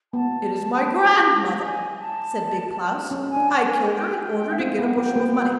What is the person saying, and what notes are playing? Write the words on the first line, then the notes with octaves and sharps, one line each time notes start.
'It is my grandmother,' said Big Klaus. 'I killed her in order to get a bushel of money.'
B3 A5
G#5
A5
C#4
G#5
D4
A5
A5
G#5
G5
G#5
G5
E5
C4 F5
B3
B3 G5
A#3
B3